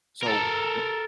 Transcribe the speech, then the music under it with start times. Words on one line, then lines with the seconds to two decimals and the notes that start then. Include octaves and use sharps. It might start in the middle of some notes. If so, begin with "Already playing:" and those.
So the
0.23 A4 A#4